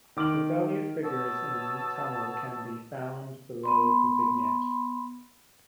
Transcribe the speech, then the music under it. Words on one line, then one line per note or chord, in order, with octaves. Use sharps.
The value figure in Tamil can be found below the vignette.
D#3 D6 F6 F#7
B2 F#4 C#5 A5 D#6 E6
B3 B5 C6